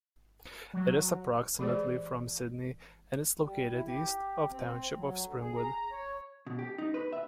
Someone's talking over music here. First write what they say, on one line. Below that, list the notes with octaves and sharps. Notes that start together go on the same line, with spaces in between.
It is approximately from Sydney and is located east of the township of Springwood.
F#3
E3 G#3 G4 G#4 C5 D5
G3
E4
G4
C4
F#3
D2
G#4
A#5
C#5
B2
G4
D#4
B4
E5